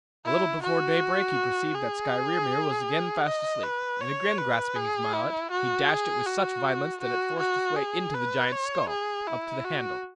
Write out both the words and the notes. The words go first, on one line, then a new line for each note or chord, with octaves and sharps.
A little before daybreak he perceived that Skrymir was again fast asleep, and again grasping his mallet, he dashed it with such violence that it forced its way into the giant's skull up to the handle.
E4
F#4
G#4
D#5
B4
C#5
B4
G#4
E4
F#4
G#4
F#4
F#4
F#4
G#4
B4
C#5
G#4
E4
F#4